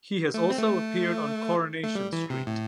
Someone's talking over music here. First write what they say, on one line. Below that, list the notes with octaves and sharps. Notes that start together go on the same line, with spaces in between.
He has also appeared on "Coronation Street".
A3
C4
A3
A3
G3
E3
C3
A2